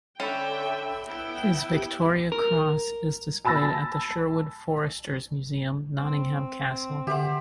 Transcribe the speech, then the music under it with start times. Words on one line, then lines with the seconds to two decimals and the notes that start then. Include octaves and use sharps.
His Victoria Cross is displayed at the Sherwood Foresters Museum, Nottingham Castle.
0.20 D3 C#4 A4 E5 G5 A5 B5
1.06 B3 E4 G5
1.72 G4
2.32 A#4
3.45 G#5 A5 B5 E6 A6 A#6
5.98 C4
7.07 D3 G4 C5 E5 F#5